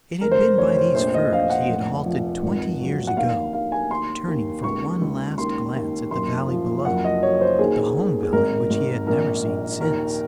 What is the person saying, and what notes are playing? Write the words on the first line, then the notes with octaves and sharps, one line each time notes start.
It had been by these firs he had halted twenty years ago, turning for one last glance at the valley below, the home valley which he had never seen since.
F1 A#4
C5
A#4
F1 C#5
C5
A#1 C5
D#5
A#1 F5
F#5
F1
F3
G#1
F#3
F#5
D#2 F5
D#2 F5
G#5
D#2 C6
D#2
C#2 C#6
C#2
D#2 C6
D#2
F#1 C6
F3
F#1 F#5
D#5
F#3 C#5
C5
D#2 G#4
D#2
G#4
G#1 A#4
G#1
A#1 A#4
A#1
D#2 A#4